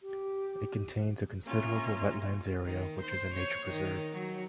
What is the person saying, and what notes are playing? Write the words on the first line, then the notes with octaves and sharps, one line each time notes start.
It contains a considerable wetlands area which is a nature preserve.
G4
A#3 C#4 F4 E5
D#3
C5
C#5
D#3
F#3